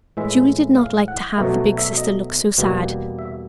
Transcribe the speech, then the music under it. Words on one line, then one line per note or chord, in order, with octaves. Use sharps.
Julie did not like to have the big sister look so sad.
A2 E3 G#3 E5
F5
F#5
B2 F#3 A3 D#5
E5
D#5
E2 B2 G3 A#3
E5